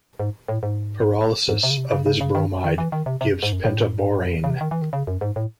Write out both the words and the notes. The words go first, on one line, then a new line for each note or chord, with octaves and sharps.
Pyrolysis of this bromide gives pentaborane.
G#2
A2
G#2
G#2
C3
C#3
C3
C#3
C#3
C#3
D#3
D#3
E3
D#3
C3
C3
G#2
F#2
A2
C#3
C3
D#3
E3
D#3
C#3
F#2
G#2
A2